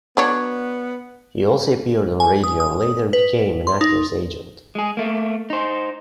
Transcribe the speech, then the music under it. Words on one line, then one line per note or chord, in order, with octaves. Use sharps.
He also appeared on radio and later became an actors agent.
F#3 B3 D4 C#5
G#5
D#6
D#6
B4
C6
D#4
G#3 G#4
A3 A#3
D#4 C5